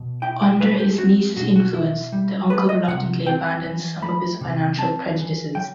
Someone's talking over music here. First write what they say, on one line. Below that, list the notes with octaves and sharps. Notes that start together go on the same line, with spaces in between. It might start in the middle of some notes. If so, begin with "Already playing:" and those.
Under his niece's influence, the uncle reluctantly abandons some of his financial prejudices.
Already playing: B2
E4 G5
G5
G3 B4
G4
C4 F#4
B2 F#4
F#4
E4
G3
A3 B4
D#5
C3 F#5
C4 G5
E3
A3 B5
C3
C4 A5
E3
F#3 G5